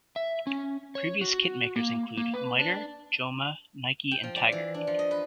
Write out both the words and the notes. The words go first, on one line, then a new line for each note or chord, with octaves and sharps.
Previous kit makers include mitre, Joma, Nike and Tiger.
E5
C#4
C#5
F#4
A#3
A#3
B4
D4
G5
F3
D5
E3
D4
F3
D#5
B4